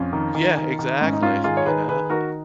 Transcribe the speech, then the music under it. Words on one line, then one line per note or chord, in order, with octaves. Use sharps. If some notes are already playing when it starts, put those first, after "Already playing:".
Yeah, exactly, you know?
Already playing: F2 C#4 F4
D#3
D#3
D#3
D#3
G#2 C#4
D#4
G#2 C#4 F4
D#3 F4 G#4
C#5
D#3 G#4 B4
D#3 G#4 B4
D#3 F#4 A#4